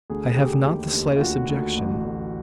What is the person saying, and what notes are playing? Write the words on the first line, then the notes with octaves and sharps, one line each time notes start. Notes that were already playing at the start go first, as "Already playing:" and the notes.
I have not the slightest objection.
D2 G#4
G#4
D2 G4
D#2
D#2
F4
D2 F#4
D2
A1
A1